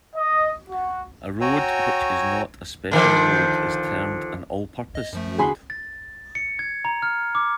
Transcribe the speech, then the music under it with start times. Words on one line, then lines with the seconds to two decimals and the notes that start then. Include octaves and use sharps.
A road which is not a special road is termed an "all-purpose" road.
0.15 D#5
0.69 F#4
1.41 F#4 C#5 G5 G#5 A#5 E6
2.91 D3 D#3 F3
4.95 D#5
5.13 F#2 F3 A3
5.38 D3 F#4 G#4 G#5 B5 C6
5.70 A6
6.35 C#7
6.59 G#6
6.85 A#5
7.02 F6
7.35 D6